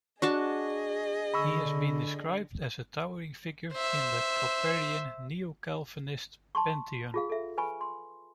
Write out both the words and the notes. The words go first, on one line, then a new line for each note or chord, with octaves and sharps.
He has been described as a "towering figure" in the Kuyperian Neo-Calvinist pantheon.
D4 F#4 G#4 D#5 A5 C#6
D3 B5 C#6 E6
C5 E5
A5 C6 C#6
F4 G#4 F5
A4 E5
B4 G#5 B5 C#6
C6